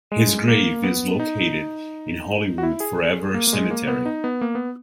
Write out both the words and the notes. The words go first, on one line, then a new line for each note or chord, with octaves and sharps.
His grave is located in Hollywood Forever Cemetery.
G#3
A#3
B3
D#4
F#4
E4
G#4
A#3
A#3
G#3
A#3
B3
D#4
B3
A#3
B3